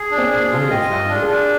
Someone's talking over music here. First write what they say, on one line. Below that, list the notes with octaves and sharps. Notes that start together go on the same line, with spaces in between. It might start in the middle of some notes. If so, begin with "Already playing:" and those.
I know your family.
Already playing: G#4
D4
C4
G#4
F4
G4 D#5
F4
D4
G#4
D4